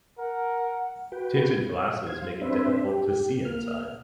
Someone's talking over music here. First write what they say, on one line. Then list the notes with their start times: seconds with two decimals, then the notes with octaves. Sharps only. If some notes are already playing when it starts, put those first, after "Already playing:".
Tinted glasses make it difficult to see inside.
0.18 A#4 F#5
1.12 F#4 B4 G5
1.69 C#5
2.06 C5 F5 G#6
2.41 C4 D4 B4 C5 E5
2.87 G4
3.45 A#3 F6